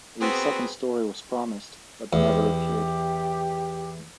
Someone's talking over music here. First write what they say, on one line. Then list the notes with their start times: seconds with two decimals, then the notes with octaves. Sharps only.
A second story was promised, but never appeared.
0.21 B3 C4 F#4 G#4 A#4 B4
2.13 E2 G4